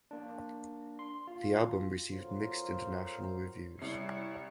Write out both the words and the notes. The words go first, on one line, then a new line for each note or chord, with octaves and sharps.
The album received mixed international reviews.
A#3 D4
C6
F4
F2 F#3 F4 A#4 C5
C2 E4 C#5 C7